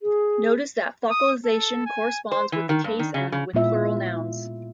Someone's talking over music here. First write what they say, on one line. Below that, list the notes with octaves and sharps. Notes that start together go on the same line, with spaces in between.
Notice that faucalization corresponds with the case and with plural nouns.
G#4
D#6
A4
G#5
C5
E3
D#3
G2
D#3
C#3
C#3
A#2 G#3 B3 E4 F4 E5